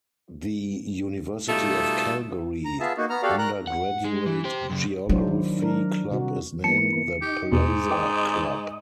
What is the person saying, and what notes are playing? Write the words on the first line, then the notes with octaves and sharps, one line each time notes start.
The University of Calgary undergraduate Geography club is named the Palliser Club.
B2 G3 A3 D#4 F4 A4
A#5
B3 F4 G#4 E5 A5
A#3 D#4 F#4
B3 A#5 F6
F#4 G4 A4 D5 F5
A#4 A#5 F#6
F#5
G#3
E3
G4 C5
F#2 C#3
F#3 D4 E4 C5
D#3
D4 A#4
C3 G3 F#4
E3 A#3 B3 A5 C#7
D#4 G4
E2 G#2 B2
D#5 G5 D6